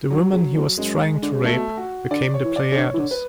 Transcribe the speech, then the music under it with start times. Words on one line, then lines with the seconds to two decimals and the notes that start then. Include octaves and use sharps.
The women he was trying to rape became the Pleiades.
0.10 D3 F#3
0.32 C#3
0.55 E2
0.78 F#2 G#3
1.22 D3
1.33 C#3
1.44 B2 A3
1.77 F#4
2.11 D3 D5
2.34 C#5
2.44 E3
2.56 D5
2.71 C#3
2.78 D3 C#5
2.94 E3
3.00 D3
3.11 B4